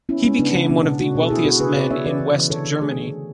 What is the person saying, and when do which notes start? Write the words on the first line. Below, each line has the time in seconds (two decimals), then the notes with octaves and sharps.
He became one of the wealthiest men in West Germany.
0.09 B3 C#4 E4
0.25 G#3 C#4
0.39 C#3 B3 D4
0.55 C#3
0.69 B2 B3 D4
0.85 B2
1.00 A3 D4 F#4
1.15 B2
1.22 A4
1.30 B3 E4 G#4
1.45 B3 F#4 A4
1.60 C#3 G#4 B4
1.75 C#3 B4 D5
1.90 B3 C#5 E5
2.06 E3 B4 D5
2.21 C#3
2.36 E3
2.50 D3 A4 C#5
2.66 D3
2.81 A3 G#4